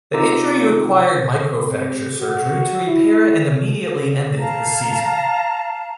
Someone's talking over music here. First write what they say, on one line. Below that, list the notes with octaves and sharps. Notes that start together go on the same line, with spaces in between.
The injury required microfracture surgery to repair and immediately ended his season.
C3 D#4 F4 A#5 D6 E6
C3
F#4
E4
F5 A5 A#5